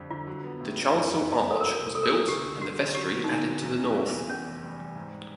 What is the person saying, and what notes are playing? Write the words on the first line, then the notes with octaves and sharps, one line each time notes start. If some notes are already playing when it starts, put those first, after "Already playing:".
The Chancel Arch was built and the vestry added to the north.
Already playing: F2 D3 G3
D3 F4
F#3
B3
A2
F#3
F#1
F2
F2
F2
A4
F#3 A#4
C2
C2 A4
A#4
C2 A4
D3 G4
D3
D3 F#4
D3
F#3 G4
B3
D#4
D3 D4
F#3
E2
E3
E2
E2
E2 C#4
F1
G3
G3
G#2